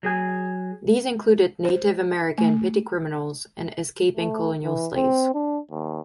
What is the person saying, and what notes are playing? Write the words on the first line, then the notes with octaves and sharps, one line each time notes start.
These included Native American petty criminals and escaping colonial slaves.
F#3 G#4 G#5
C5
A3
A3
E3
C4
D4
D#2